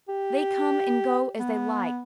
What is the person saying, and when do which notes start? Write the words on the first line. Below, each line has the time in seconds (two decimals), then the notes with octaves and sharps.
They come and go as they like.
0.09 G4
1.39 B3